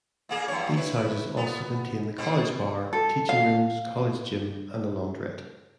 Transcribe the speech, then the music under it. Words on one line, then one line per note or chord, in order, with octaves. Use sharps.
These houses also contain the college bar, teaching rooms, college gym, and a laundrette.
A#2 A#3 G#4
E2 G2 C#5
E4 B4
B3
B2 C4
A4
F5